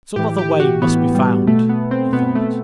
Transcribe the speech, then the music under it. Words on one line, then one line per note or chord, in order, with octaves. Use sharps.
"Some other way must be found," he thought.
A2 E3 G4
G4
F#4
A2 E3 B3
G3
B2 A3
B3
C4
B2 B3
A3